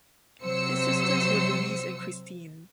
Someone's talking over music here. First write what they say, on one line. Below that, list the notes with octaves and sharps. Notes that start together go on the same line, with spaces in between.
His sisters were Luise and Christine.
C3 F#3 C5 E6 C#7